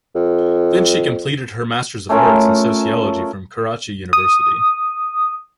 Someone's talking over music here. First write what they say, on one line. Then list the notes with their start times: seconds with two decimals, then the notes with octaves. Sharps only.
Then she completed her Masters of Arts in Sociology from Karachi University.
0.15 F2
2.09 A3 C#4 F4 A#4
4.13 D#6